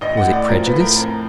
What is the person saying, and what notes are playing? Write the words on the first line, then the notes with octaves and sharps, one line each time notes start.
Was it prejudice?
A1 D#5
F#5
A2
D5
F3 A#4
B4
A2
A#4
F2 A#4